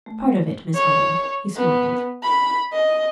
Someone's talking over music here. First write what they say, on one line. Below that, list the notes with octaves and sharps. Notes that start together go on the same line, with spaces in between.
"Part of it, Miss Holland," he smiled.
A3
C#5
B3
B5
D#5